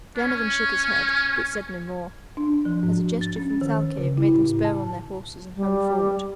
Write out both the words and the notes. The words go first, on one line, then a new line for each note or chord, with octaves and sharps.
Glenarvan shook his head, but said no more, as a gesture from Thalcave made them spur on their horses and hurry forward.
C#4
D4
F3
G#2
A6
C#4
D#3
C#3
E4
A2
A5
G3